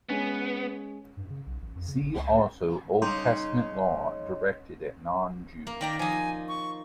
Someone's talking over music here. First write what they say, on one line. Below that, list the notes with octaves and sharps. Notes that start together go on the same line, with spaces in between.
See also Old Testament Law directed at non-Jews.
G#3 B3 C#4 G#5
G2
C#3
B1
A1
F2
C#3
G#1
C#2
C#3 G3 D#4 A#5 C6
A#3
D#3 D5 G5 A#5
F3 D#4 G#5
C#6